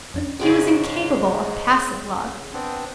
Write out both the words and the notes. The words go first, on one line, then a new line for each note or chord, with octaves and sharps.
He was incapable of passive love.
F2 C#4 D4
G#2 C#3 G#3 G#4 D5
B3 C4 D4